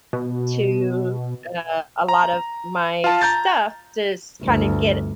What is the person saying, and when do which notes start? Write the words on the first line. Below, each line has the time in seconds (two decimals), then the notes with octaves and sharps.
to a a lot of my stuff to s kind of get it
0.13 B2
2.09 A#5
3.04 F4 A5
3.21 A#5 G6 A6
4.42 G1 D2